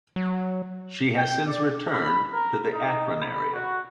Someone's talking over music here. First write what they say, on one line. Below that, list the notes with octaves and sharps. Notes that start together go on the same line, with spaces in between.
She has since returned to the Akron area.
F#3
G5
D5
B5
A#4
D#4
B5
F#4